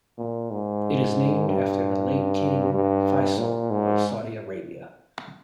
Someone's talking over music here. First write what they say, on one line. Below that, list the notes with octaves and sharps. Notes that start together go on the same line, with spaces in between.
It is named after the late King Faisal of Saudi Arabia.
A#2
G#2
G2
G2
A#2
G#2